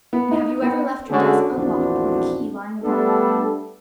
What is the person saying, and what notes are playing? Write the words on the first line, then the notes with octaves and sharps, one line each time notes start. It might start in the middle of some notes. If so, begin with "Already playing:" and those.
"And have you ever left your desk unlocked, or the key lying about?"
B3
D#4
B3
D3 G#3 C#4 F#4 G#4 A4
A#1 E2 C4 D4 F#4 C5
G3 A3 B3 D4 A4